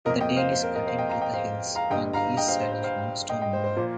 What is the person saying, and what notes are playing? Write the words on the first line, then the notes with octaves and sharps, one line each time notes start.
The dale is cut into the hills on the east side of Longstone Moor.
F2 F3 A#3 F4 A#4 D#5
D#5 G5
C5 F5
C5
A#4
A#4 D#5
C5 F5
D#5 G5
F5 A#5
D#5 G5
C5 F5
F5 A#5
G1 G2 G3 D#5 G5
F5 A#5
D#5 G5
C5 F5
C5
C5
C5 F5
D#5 G5
D#5 G5
C5
C5
A#2 F3 A#3 F4 C5